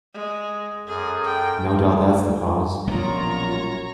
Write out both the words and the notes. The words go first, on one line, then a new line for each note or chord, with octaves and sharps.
No doubt that's the cause.
G#3
F#2 G#4 A4
G5
A#1 F#2 B2 G3 F4 C#5 A#5